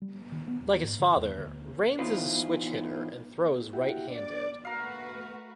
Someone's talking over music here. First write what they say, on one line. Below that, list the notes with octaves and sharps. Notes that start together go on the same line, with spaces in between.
Like his father; Raines is a switch-hitter and throws right-handed.
G3
D#3
B3
D#1
G#2
D3
E2
D2
E3 B3 D#4 F4 C5
E4 F#4 G4
D4 D5 D6
A3 F#4 A#4 B4 F5